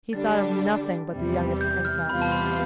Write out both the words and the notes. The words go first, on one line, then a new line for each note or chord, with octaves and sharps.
He thought of nothing but the youngest Princess.
D3 G3 D4 A6
E2 C3 E3 G3
G6
F6
E2 C3 G3 B3 F4 B5
A5
B5